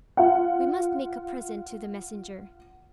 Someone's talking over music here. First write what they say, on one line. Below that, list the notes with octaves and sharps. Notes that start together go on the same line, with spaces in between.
"We must make a present to the messenger."
F4 F#5